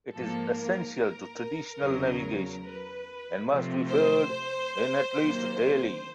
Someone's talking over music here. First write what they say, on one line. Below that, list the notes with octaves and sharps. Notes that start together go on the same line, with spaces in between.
It is essential to traditional navigation, and must be filled in at least daily.
G#2 F3 A#3 A4
A#4
E2 C#3 F#3
B4
C3 F3 A3 C4
C5
C3 D#3 F#3 A#3